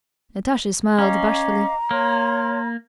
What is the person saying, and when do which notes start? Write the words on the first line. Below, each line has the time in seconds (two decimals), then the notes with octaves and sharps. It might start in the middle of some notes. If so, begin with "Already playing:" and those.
Natasha smiled bashfully.
0.98 C#4 D#5 F5 A#5 D6
1.91 A#3 C#5 C6